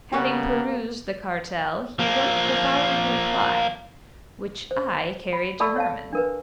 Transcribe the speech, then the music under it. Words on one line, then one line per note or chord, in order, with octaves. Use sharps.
Having perused the cartel, he wrote the following reply, which I carried to Hermann.
C#3 G3 A#3 B3 F#4
F3 A#3
C5
B5
A4 D5 A5 B5 C#6 E6
C#5 F5 A5
D4 A#4 B4